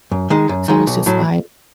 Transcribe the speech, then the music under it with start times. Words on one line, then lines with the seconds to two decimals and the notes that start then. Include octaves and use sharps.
So it's just like,
0.11 F#2
0.30 D#3 G#3
0.49 F#2
0.68 D#3 G#3
0.87 B1
1.06 A2 F#3